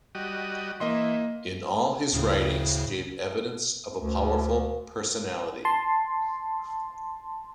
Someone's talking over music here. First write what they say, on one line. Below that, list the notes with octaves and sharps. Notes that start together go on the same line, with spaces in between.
In all his writings gave evidence of a powerful personality.
G3 F#4 D#5
E3 A#3 D#5 C6
D2 A2 C#3
D2
A5 C6